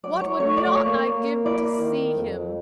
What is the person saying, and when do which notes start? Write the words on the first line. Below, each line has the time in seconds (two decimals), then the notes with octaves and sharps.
What would not I give to see him!
0.04 F#3 D5
0.21 C#5
0.40 A3 C#5
0.57 D5
0.75 A#3 C#5
1.10 A#3
1.45 E4 D5
1.80 D#3
2.16 F2